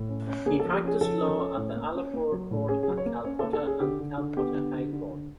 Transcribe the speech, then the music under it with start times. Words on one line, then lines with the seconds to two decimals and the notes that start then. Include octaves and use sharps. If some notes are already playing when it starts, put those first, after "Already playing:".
He practiced law at the Alipore Court at Calcutta and Calcutta High Court.
Already playing: A2
0.09 C#4
0.27 C#4
0.46 A#3 G#4
0.60 A4
0.64 F3
0.73 G4
0.84 C#4 G#4
1.01 F3 A4
1.21 C#4
1.39 C#4
1.57 A2
1.76 A#3
1.94 C#4
2.13 A#3
2.32 F#3
2.51 A2
2.68 C#4 G#4
2.83 G#4
2.88 F#3
2.98 C#5
3.06 A#3
3.24 C#4 C#5
3.39 A4
3.43 A#3
3.53 A4
3.62 C#4
3.67 G#4
3.80 D3 G4
4.00 D3
4.18 D3
4.37 B3 G4
4.55 D3
4.74 D3
4.93 D3
5.11 D3